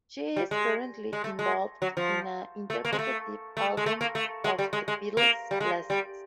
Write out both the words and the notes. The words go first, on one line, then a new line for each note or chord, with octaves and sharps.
She is currently involved in an interpretative album of the Beatles' classics.
G3
G#3
G#3
A3
G#3
F#3
F3
A3
A#3
G#3
A3
A3
G#3
A3
A#3
A3
G#3
G3
G#3
G#3
A#3
G3
G#3
G3